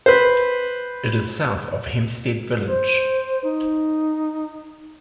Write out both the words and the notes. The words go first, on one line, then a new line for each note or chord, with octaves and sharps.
It is south of Hempstead village.
B4 C5
C5
D#4